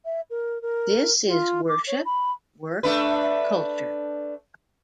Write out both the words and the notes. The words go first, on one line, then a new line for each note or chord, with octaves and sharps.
This is worship, work, culture.
E5
A#4
A#4
F4
D6
C#5
B5
A3 D4 B4